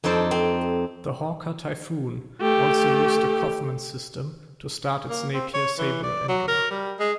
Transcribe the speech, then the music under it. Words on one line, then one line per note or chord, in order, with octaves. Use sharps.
The Hawker Typhoon also used the Coffman system to start its Napier Sabre engine.
F2 D#4 A4 C5 D5
C4
A3 G4
A#3
C4
C#5
E3
D5
F#3
A#4
G3
G#3